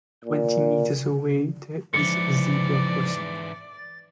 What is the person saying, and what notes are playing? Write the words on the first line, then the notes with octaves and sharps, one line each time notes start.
Twenty meters away there is a zebra crossing.
A#2
G#2 E3 F3 D5 C#7
A6